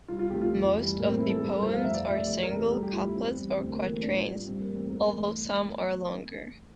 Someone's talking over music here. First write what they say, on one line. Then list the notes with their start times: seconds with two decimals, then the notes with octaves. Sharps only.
Most of the poems are single couplets or quatrains, although some are longer.
0.08 C2 F4
0.19 F4
0.30 C3 F3 A3 G4
0.41 F4
0.53 F2
0.74 E3
0.79 G3
0.97 A2 A#3
1.08 C4
1.19 E3 G3 E4
1.29 A4
1.40 G2 A4
1.51 A#4
1.63 F3 A3 C5
1.73 F5
1.84 F2 E5
1.94 D5
2.06 C3 F3 A3 E5
2.17 D5
2.27 F2 D5
2.43 A#4
2.50 C3 E3 A3
2.57 A4
2.71 G2 G4
2.83 G4
2.93 F3 A3 F4
3.05 E4
3.14 E2 C4
3.37 E3 G3
3.58 D2 C4
3.69 A#3
3.80 C3 E3 A3 A#3
3.92 C4
4.03 A2 D4
4.17 F4
4.24 G3
4.46 G2 C4
4.60 A#3
4.68 E3 A3
4.76 C4
4.89 E2 A#4
5.11 E3 A3